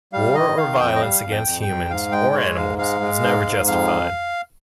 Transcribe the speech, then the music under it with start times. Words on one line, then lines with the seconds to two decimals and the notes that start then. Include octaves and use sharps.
War or violence against humans or animals is never justified.
0.13 G3 F5
0.35 D#3 D#5
0.57 D#3 F5
0.79 F2 G5
0.96 D#5
1.02 G3 F5
1.23 F2
1.31 G5
1.46 F2
1.61 G5
1.68 F2
1.90 G#2 F5
2.12 G#3 G5
2.34 G#3 C#5
2.56 G#2 F5
2.78 G#3 F5
3.01 G#3
3.23 G#2
3.45 G#2
3.67 F2 F5